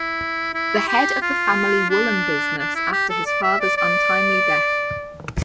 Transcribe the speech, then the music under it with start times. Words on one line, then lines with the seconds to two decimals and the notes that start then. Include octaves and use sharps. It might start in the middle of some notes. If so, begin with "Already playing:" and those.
The head of the family woolen business after his father's untimely death.
Already playing: E4
0.54 E4
0.88 G4
1.22 F4
1.90 D4
2.59 D4
2.75 E4
2.93 G4
3.09 A4
3.26 D5
3.43 E5
3.60 D5
3.77 D5